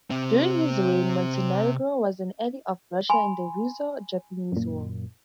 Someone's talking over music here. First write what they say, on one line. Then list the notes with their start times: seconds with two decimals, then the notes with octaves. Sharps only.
During his reign Montenegro was an ally of Russia in the Russo-Japanese war.
0.10 C3 C4
3.10 G#5 B5 C6
4.52 F#2 A#2